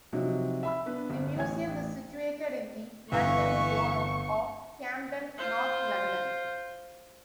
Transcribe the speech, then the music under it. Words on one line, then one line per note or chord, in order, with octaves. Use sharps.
The museum is situated in the London Borough of Camden, North London.
C3 F3 F#3 D#4 F#4
E5 B5 E6
B3 D4 B4
G1
A1 C#5 G#5 G#6
A1
G1 E3 F5 C#6
F4 C5